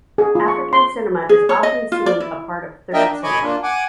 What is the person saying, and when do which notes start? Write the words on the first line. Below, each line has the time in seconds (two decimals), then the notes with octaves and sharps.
African cinema is often seen a part of Third Cinema.
0.18 G#4
0.35 F4
0.48 C#6
0.73 C6
1.29 G#4
1.49 C#5
1.63 D#5
1.92 F4
2.06 D5
2.20 E4
2.94 A#3 D4 A#4 D#5 E5 G5
3.10 D4
3.23 C#5 D#5 G#5 B5 C#6 D6
3.42 A#3 D4 F4
3.63 F#5 G#5 D6